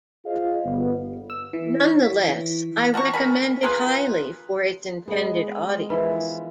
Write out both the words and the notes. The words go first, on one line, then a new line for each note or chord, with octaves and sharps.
Nonetheless, I recommend it highly for its intended audience.
F4 G#4 C5 D#5 F5
G1 B3
E6
E3
C#5
B6
E3
F3 F#4 A#5 C#6
A#4 G#5 B5
A#3 F4 G#4 B4
G#3 B3 G#4 D#5
E3 F3 E4 A#4 B4 B5